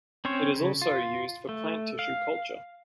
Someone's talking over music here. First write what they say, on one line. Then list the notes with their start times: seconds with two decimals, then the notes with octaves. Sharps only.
It is also used for plant tissue culture.
0.25 C4 C#4 C5 C#5
0.54 C#3
0.82 F4
1.49 A3
1.99 F5